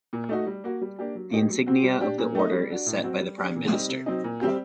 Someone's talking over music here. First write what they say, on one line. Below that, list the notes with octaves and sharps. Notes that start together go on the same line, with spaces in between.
The insignia of the Order is set by the Prime Minister.
A#2
A3 D#4 F#4
G3
A#3 F#4
G3
A#3 D4 G4
F#3
A#3 D#4 G4
F#3
C4 F#4
G3
D4 G4
A#2
A3 D#4
G3
D4 F#4
A2
F#3 C4 F#4
G3
D4 G4
A#2
G3 C4 D#4 G4
C3
F#3 C4 D#4
A#2
G3 C4 G4